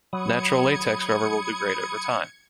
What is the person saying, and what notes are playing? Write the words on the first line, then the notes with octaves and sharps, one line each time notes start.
Natural latex rubber will degrade over time.
F#3 B5 D#6 G#6 C#7